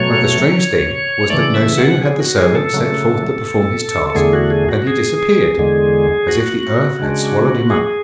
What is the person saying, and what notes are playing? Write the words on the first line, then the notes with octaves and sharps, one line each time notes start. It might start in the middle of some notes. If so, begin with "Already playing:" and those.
But the strange thing was that no sooner had the servant set forth to perform his task than he disappeared, as if the earth had swallowed him up.
Already playing: B2 F#3 A3 C#5
C#3 E3 A3 D5
E5
F#5
G#4
F#4
G#4
A4
C#3 F#3 A3
A4
E2 D3 A3 G#4
F#4
G#4
F#4
G#4
E2 D3 G#3
F#4
C#3 G#3 D4
G#4